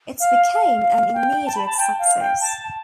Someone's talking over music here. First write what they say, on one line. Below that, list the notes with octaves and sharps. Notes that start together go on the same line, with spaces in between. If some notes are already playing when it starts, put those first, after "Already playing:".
It became an immediate success.
F5
F5
F5
G5
A5
B5
A5
G5
F5
G5
A5